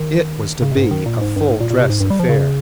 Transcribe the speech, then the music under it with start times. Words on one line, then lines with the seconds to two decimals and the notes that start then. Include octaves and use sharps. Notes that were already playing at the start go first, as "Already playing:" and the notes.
It was to be a full-dress affair.
Already playing: D#3
0.62 C#3
0.72 C3
0.76 G2
0.81 G#2
0.91 D#3
1.06 A#2
1.21 G#2
1.36 G2
1.50 G#2
1.60 A#2
1.70 A#2
1.80 C3
1.90 G#2
2.00 G2
2.10 G3
2.20 F3
2.29 C#3